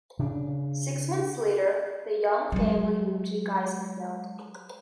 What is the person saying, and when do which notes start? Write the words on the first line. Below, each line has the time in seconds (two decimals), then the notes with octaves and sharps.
Six months later, the young family moved to Geisenfeld.
0.19 C#3 D4
2.52 F#3 G#3